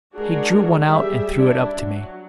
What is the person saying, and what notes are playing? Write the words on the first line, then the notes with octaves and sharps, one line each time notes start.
He drew one out and threw it up to me.
G#3 D4 F#4 G#4 A#4
G3 G#4 E5
D4 E4
F#3